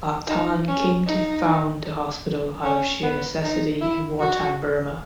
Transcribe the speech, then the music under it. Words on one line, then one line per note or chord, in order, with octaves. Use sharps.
Ba Than came to found the hospital out of sheer necessity in wartime Burma.
D#4
C#4
D#4
C#4
B3
D#4
E4
F#4